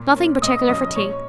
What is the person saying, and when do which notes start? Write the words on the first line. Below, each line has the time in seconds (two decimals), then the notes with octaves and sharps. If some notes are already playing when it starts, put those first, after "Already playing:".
Nothing pertikeler for tea.
Already playing: A#2
0.15 A#3 C#4
0.42 A#2 D#5 D#6
0.68 F3 C#4 D#5 D#6
0.96 A#2 C#5 C#6